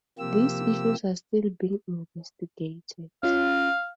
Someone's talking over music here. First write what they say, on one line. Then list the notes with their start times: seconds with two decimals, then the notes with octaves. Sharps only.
These issues are still being investigated.
0.19 C3 F3 A#3 F4 G4 E6
3.23 C#4 F4 F5